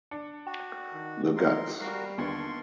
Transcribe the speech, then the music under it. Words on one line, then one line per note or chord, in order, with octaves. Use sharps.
The Guts!
D4 C#7
F#4 G5
D#3
A#4 C6
G3 F#4 A#4 F5 C7
D#2 D3 B3 D4 B4 C6 C#6